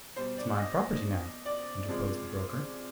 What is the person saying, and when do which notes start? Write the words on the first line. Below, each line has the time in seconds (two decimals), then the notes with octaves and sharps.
"It's my property, now," interposed the broker.
0.16 B2 G3 C5
0.38 D5
0.59 D#5
1.45 D5
1.89 C3 F3 G#3